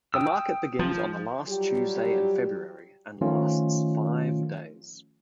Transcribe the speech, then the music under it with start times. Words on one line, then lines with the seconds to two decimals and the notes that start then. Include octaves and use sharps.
The market begins on the last Tuesday in February and lasts five days.
0.14 G5 D#6 E6
0.79 F3
1.48 F#3 G3 F4 G4
3.21 D#3 F3 A3 C#4 F4